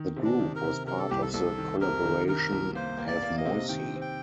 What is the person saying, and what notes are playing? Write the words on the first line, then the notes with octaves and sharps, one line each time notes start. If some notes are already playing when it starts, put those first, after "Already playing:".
The group was part of the collaboration Have Moicy!
Already playing: D#3
C3
D4
D#3
A#4
C3
C3 A#4
A4
C2 G4
A4
C2 A4
D#3
C3 A#4
D#3
D#3 A#4
C2
A#3 C5
A#3
D5
A#3
D#5
C3
D#3 G5
C4
G5